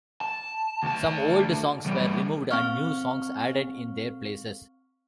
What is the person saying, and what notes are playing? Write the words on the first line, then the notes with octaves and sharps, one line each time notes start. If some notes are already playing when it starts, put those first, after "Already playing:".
Some old songs were removed and new songs added in their places.
A5
D2 A5
E3 G3
C4 F5 C#6 F6